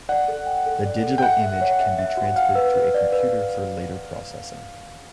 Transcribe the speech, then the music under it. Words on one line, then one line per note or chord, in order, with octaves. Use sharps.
The digital image can be transferred to a computer for later processing.
D5 F#5
A4
G5
A4
D5
A4
G5
E5 F#5
E5
C#5
E5
E5
F#4
F5 F#5
B4
B4
D5
B4